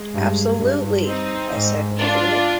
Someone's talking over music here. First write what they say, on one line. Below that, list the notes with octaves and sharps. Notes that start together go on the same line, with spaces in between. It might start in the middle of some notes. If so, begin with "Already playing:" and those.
"Absolutely," I said with approval.
Already playing: G#3
G2
G2
C4 D#4
G#2
D4 F4